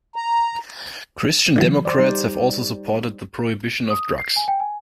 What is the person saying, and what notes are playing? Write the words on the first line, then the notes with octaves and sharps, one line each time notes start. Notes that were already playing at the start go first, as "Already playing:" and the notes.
Christian Democrats have also supported the prohibition of drugs.
A#5
D3 E3 F#3
C5 D5
G3 D#4
D#6
C7
G#5
G5
G#5